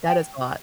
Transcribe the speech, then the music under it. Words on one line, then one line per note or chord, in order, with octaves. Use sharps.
That is a lot.
G5